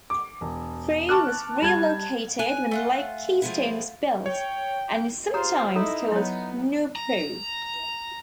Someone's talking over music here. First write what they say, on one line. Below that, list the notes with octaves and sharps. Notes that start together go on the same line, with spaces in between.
Prue was relocated when Lake Keystone was built, and is sometimes called "New Prue".
D6
E1
A5 C#6 D6 F6 F#6
G3 A5 G#6
G#5 F#6
A3 F4 F#5
F3 G#3 E4
C#5 G5
F4 G4 G#4 C5 A#5
D#4 E4 A4
F#3 B3 E4 C#5
A#5